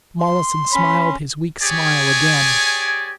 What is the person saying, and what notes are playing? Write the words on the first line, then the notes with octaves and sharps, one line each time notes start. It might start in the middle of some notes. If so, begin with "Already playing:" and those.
Mollison smiled his weak smile again.
C6
C#4 B5
G4 G#4 C#5 D5 G#5